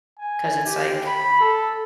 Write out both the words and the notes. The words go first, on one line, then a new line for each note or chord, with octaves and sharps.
'Cause it's like
G#5
G4
B5
A4